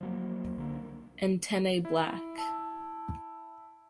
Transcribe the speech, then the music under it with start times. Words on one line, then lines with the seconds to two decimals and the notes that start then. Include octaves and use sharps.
Antennae black.
0.01 F3 F#3 A#3
0.56 C2 D3 A#3
1.85 E4
2.38 A5 E6